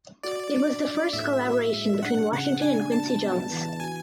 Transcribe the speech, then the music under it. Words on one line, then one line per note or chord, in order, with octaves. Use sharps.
It was the first collaboration between Washington and Quincy Jones.
F#4 D5
D4
D4
A2 E5
F#4
G#3
D4 F#5
C#3 F#5
D4 G#5
D4 A5
B3
E3
F#4 G#5